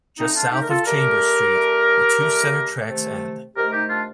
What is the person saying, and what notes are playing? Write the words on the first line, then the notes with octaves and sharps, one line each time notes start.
Just south of Chambers Street, the two center tracks end.
D3 A3 C4 D#4
D4 F4
D#4 G4
A#4
F4 A4
D3 A3 G4 A#4
D3 A3
D3 A3
C3 D#3 A3
C3 D#3 A3 G4 A#4
D#4 G4
D4 F4